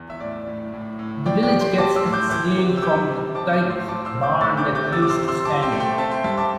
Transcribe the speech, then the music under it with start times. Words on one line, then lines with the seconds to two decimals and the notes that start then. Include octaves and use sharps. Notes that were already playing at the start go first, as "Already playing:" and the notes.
The village gets its name from the tithe barn that used to stand there.
Already playing: E2
0.10 E5
0.20 A2 D5
0.47 A2
0.74 A2
0.99 A2
1.26 A2 D5 G5
1.43 D5 G5
1.52 G3
1.60 G5 C6
1.78 G3 A5 D6
1.96 C6 E6
2.04 A2
2.13 D6 G6
2.30 E3 D6 G6
2.57 C3
2.77 E6
2.82 G3 D6 G6
3.10 C3
3.35 C4 A5 D6
3.53 D6 G6
3.62 A2
3.70 C6 E6
3.81 C6
3.88 A2 A5 D6
4.05 C6 E6
4.15 C4
4.23 D6 G6
4.41 A3 E6 A6
4.57 D6 G6
4.66 C3
4.75 D6 G6
4.92 C3 E6 A6
5.02 D6
5.10 C6 E6
5.19 C3
5.28 C6 E6
5.45 C4 A5 D6
5.62 G5 C6
5.72 A3
5.80 G5 C6
5.98 C4 E5 A5
6.11 G5 C6
6.24 G2 E5 A5
6.37 A5 D6